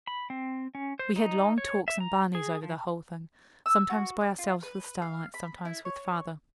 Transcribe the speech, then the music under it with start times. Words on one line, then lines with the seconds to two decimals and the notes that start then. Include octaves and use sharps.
We had long talks and barneys over the whole thing--sometimes by ourselves with Starlight, sometimes with father.
0.07 B5
0.30 C4
0.75 C#4
0.99 C5
1.16 D#4
1.58 C#5
1.88 E5
2.00 A#5
2.35 G#4
2.62 F3
3.66 E6
3.90 F#4
4.21 D5
4.39 F4
4.63 B4
5.02 F5
5.34 B5
5.65 E4
5.85 C#5